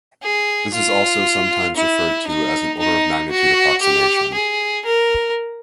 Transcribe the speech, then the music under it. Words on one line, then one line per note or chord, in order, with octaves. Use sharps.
This is also sometimes referred to as an order-of-magnitude approximation.
G#4
F4
E4
D#4
D#4
F#4
G4
G#4
A#4